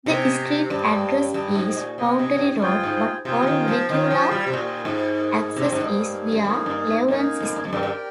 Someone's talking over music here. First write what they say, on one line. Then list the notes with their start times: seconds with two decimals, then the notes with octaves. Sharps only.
The street address is Boundary Road, but all vehicular access is via Laurence Street.
0.06 C3 G#4 D#5 G5
0.70 G2 G#4 D#5 G5
1.34 G2 G#4 D#5 G5
1.55 G#2
1.77 A#2
1.98 C3 G#4 D#5 G5
2.19 C3
2.36 G2
2.40 G#2
2.56 F2
2.61 G2 F4 G#4 C5 G5
2.83 G#2
3.25 C3 F4 G#4 C5 G5
3.42 F3
3.47 D#3
3.68 F3
3.89 D#3 F4 G#4 C5 G5
4.10 F3
4.31 G3
4.47 C3
4.53 A#2 F4 G#4 C5 G5
4.85 G#2
5.16 A#3 D#4 G#4
5.56 C3
5.65 A#2
5.73 G#2
5.81 G2 A#3 D#4 G#4
6.33 G2
6.44 F2 A#3 D#4 G#4
6.66 G2
6.87 G#2
7.08 G2 A#3 D#4 G#4
7.40 F2
7.56 G2
7.65 F2
7.72 G2 G4 A#4 D5 G5
7.83 G2